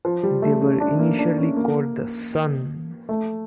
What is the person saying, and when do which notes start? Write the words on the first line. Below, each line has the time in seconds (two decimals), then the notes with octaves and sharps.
They were initially called Sun..!
0.05 F3
0.23 G3
0.42 A3
0.61 C#4
0.80 D4
0.99 A#3
1.19 D4
1.38 C#4
1.56 A#3
3.09 A3